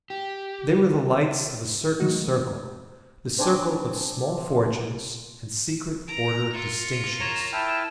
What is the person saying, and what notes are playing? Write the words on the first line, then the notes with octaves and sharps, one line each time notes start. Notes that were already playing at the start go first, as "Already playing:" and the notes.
They were the lights of a certain circle--the circle of small fortunes and secret order distinctions.
G4
E3 F#3 G#3 A3 D#4 F#4
C4 D4 G#5 D6
A#5 D7
F4 A#4 C#7
C#5 A#5 E7
E4 G5 A5 F6